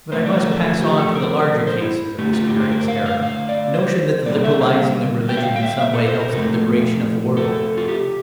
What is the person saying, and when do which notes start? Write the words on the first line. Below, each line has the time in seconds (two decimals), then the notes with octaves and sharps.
But I must pass on to the larger cases of this curious error; the notion that the "liberalising" of religion in some way helps the liberation of the world.
0.12 D3 F3 A3 C5
0.26 D5
0.33 C5
0.38 A#4
0.51 A4
0.64 F4
0.81 G4
0.99 A4
1.15 A#4
1.67 C5
1.81 E4
2.19 D3 A3 G4
2.33 F4
2.47 G4
2.60 C5
2.71 A#4
2.88 F5
3.06 F5
3.23 F5
3.49 D5
3.74 C5
4.26 D3 G3 A#3 D5
4.44 E5
4.61 F5
5.29 G5
5.37 E5
5.42 F5
5.56 G5
5.63 E5
5.68 F5
5.81 E5
5.94 A4
6.07 C5
6.20 A#4
6.33 C3 F3 A3 A4
7.37 A4
7.77 F4
7.88 G4